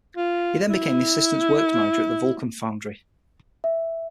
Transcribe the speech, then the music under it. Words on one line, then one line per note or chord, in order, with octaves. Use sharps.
He then became assistant works manager at the Vulcan Foundry.
F4
E4
E5